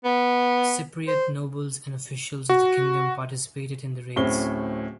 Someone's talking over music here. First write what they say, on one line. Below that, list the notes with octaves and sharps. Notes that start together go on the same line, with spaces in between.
Cypriot nobles and officials of the kingdom participated in the raids.
B3
C5
F#4
D1 A2 C4 C#4 C#5 G7